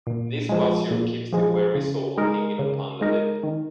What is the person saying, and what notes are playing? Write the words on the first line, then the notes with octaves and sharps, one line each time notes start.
This posture keeps the weary soul hanging upon the lip.
A#2
F3 G#3
A#2
F3 G#3
C#3
G#3 D#4 A#4
C#3
G#3 D#4 A#4
D#3